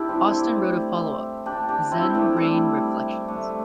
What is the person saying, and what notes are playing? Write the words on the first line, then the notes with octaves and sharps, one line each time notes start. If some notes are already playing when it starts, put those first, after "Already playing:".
Austin wrote a follow-up, "Zen-Brain Reflections".
Already playing: D4 E4 G4
G3 C4
A3 D4
D4 G4
D4 G4
C4 E4
A3 D4
G3 C4
A3 D4